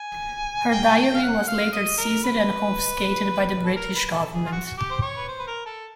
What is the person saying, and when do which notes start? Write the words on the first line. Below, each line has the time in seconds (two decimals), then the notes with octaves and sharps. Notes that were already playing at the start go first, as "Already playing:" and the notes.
Her diary was later seized and confiscated by the British government.
Already playing: G#5
0.72 G5
0.85 G#5
0.97 G5
1.15 F5
1.23 F#5
1.48 F5
1.73 D#5
1.98 A#4
2.24 B4
3.65 A4
3.76 A#4
3.95 B4
4.14 A4
4.33 G#4
4.46 F4
4.52 F#4
4.66 F#4
4.77 G4
4.90 C5
5.02 C#5
5.16 B4
5.28 C5
5.39 B4
5.47 A#4
5.66 A4